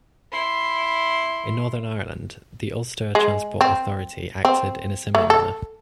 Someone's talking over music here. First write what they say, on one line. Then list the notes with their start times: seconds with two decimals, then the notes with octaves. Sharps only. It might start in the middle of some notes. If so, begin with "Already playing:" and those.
In Northern Ireland, the Ulster Transport Authority acted in a similar manner.
0.32 E4 C6
3.15 G#3
3.61 C4
4.45 C4
5.15 A3
5.30 A4